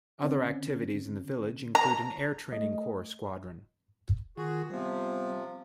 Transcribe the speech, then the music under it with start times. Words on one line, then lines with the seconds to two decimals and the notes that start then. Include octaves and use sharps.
Other activities in the village include an Air Training Corps squadron.
0.23 D3 C4 C#4
1.75 A#5
2.53 A3 D#5
4.37 D#3 F4 F#4 G#4
4.70 C3 F3 G3 B3